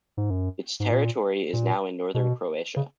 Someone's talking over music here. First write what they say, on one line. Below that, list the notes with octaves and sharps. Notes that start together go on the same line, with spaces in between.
Its territory is now in northern Croatia.
G#2
F#2
G#2
A#2
A#2
B2
C#3